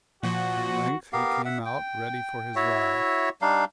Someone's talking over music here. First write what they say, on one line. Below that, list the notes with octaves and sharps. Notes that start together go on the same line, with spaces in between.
At length he came out, ready for his ride.
A#2 F3 F#4
B3 G4 A#4 F5
E5 F#5
G5
E4 F#4 C#5 E5
G3 D4 D#4 F5